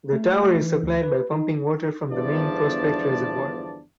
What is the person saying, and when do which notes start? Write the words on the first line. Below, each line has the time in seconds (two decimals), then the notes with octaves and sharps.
The tower is supplied by pumping water from the main Prospect Reservoir.
0.13 A3
0.43 A3
0.62 E3
0.83 D2
1.03 B4
1.32 D#4
2.10 G1 E2 F3 D4 D5 A5